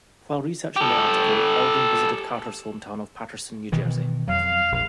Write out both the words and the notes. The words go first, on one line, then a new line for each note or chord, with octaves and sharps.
While researching the article, Algren visited Carter's hometown of Paterson, New Jersey.
G4 A4
B2 D#3 E3
F2 F#3 F5
A#1